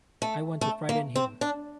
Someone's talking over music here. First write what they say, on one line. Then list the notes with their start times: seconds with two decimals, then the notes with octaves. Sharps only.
I want to frighten him.
0.22 A3
0.61 A3
0.89 A#3
1.16 C4
1.41 D4